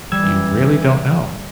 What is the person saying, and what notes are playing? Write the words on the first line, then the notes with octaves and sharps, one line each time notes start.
you really don't know.
E3 G3 E6 G#6